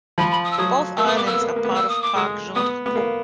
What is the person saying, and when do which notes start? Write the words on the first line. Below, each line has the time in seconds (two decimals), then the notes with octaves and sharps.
Both islands are part of Parc Jean-Drapeau.
0.18 F3 B5
0.31 B5
0.45 D#6
0.51 E6
0.58 F#3 D#6
0.97 A#3 E6
1.05 B3
1.07 D#6
1.12 A#3
1.16 B3 D6
1.26 A#3 E6
1.34 B3
1.41 A#3
1.49 B3
1.56 A#3
1.65 B3
1.71 A#3 E6
1.89 D#6
2.02 D6
2.15 G#3 D#6
2.55 B3 D#6
2.86 B3
2.96 A#3